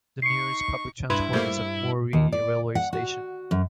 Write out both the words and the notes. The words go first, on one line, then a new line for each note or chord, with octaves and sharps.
The nearest public transport is at Moree railway station.
D#4 C#6 C7 C#7
G2 E4 B4 B5 C6 G#6
G3 A3 A#3 C5 G6 G#6
D#2
D5
F#5
F#4
F#2